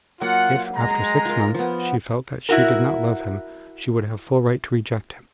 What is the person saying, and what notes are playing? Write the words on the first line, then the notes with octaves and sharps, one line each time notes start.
If after six months she felt that she did not love him she would have full right to reject him.
F#3 A#3 F4 F#5
G#3 A#5
F4 A#4
F3 B3
E4 F#4 A#4